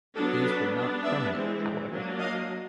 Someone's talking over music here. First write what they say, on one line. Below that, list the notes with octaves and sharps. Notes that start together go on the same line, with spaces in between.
These were not permanent, however.
F#3 B3 D4 G4 A4
A4 B4
G3 B3 D4
D5 E5
E3 G#3 C4
F#3 A#3 D4
D#5 F5